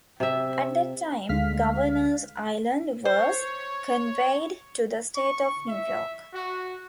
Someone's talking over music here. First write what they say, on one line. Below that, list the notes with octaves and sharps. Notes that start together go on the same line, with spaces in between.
At that time Governors Island was conveyed to the State of New York.
C3 E5
D2 D3 G#3 F5 F6 B6
C5 C#5
C#6
E5
F#4